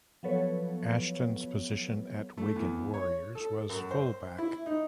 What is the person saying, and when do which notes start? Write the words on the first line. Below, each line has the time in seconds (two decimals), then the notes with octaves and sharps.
Ashton's position at Wigan Warriors was full-back.
0.23 F3 F#3 B3 A4 B4 C#5
2.37 A3
2.56 E2
2.94 C#5
3.35 A4
3.69 F#2
3.91 C5
4.38 E4
4.66 D#4